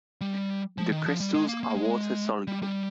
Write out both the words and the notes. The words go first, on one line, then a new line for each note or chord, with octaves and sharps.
The crystals are water-soluble.
G3
F3
D#3
F3
G3
G#3
A#3
A#3
G#3
G3
G3